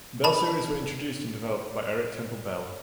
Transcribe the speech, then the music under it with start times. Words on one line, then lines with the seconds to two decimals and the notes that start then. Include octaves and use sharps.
Bell series were introduced and developed by Eric Temple Bell.
0.24 A5 B5